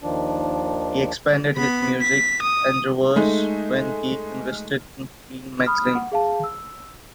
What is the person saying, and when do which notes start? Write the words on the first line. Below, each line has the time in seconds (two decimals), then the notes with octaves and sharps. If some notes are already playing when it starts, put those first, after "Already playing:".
He expanded his music endeavors when he invested in "Creem" magazine.
0.02 D#2 D#3 F3 D4
1.57 B3 B5
2.01 B6
2.42 D#6
3.16 G#3 A3 D#4
5.66 B5 D#6 F6
5.95 F#5
6.12 G#4 F5 A5
6.44 E6